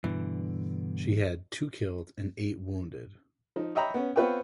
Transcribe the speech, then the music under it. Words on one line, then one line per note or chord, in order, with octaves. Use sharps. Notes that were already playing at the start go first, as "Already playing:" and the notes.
She had two killed and eight wounded.
G2 B2 D3 E3
F3 D#4
C#5 D#5 E5 G5 A#5 B5
B3 C#4
B3 C4 F4 B4 C#5 G5